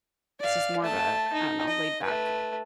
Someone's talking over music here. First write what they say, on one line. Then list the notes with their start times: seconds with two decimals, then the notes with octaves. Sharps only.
it's just more of a I don't know, laid back,
0.40 D5 F5
0.83 A3 A5
1.33 D#4
1.68 D#5
2.03 A3 B4